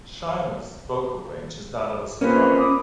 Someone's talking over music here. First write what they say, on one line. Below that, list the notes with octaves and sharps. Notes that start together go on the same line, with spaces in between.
Shy’m’s vocal range is that of a soprano.
A#3 C4 C#4 F4 G#4 B4
B5 D6 D#6